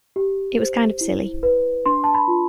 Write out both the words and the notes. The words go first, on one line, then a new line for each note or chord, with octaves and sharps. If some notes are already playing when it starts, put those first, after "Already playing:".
It was kind of silly.
G4
C5
E4
B4
D4 C6
A5
B5
F4